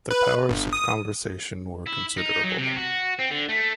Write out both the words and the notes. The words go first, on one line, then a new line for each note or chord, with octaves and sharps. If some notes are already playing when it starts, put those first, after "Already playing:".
Their powers of conversation were considerable.
B4
G1
D#6
E4
D#4
F#3
C3
F#4
C4
D3
A3